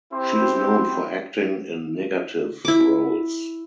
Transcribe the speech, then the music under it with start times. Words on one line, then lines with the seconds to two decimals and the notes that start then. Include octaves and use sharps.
She is known for acting in negative roles.
0.13 C4 E4 G4 C5
2.65 E4 D6